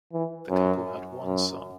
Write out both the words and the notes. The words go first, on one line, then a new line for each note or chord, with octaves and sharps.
The couple had one son.
E3
F#2
F#2